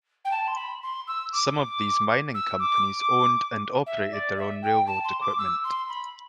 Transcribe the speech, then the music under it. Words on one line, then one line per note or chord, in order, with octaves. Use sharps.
Some of these mining companies owned and operated their own railroad equipment.
G5
A5
C6
B5
C6
E6
D6
E6
D6
E5
D5
E5
G5
A5
C6
D6
E6
C6
B5